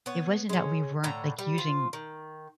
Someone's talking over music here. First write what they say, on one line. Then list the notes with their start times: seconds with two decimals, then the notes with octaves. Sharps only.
it wasn't that we weren't, like, using
0.06 B3 C#5
0.49 G#3 C#4
1.03 A2 D3 A#5
1.39 G3
1.58 F4 C5
1.93 D#3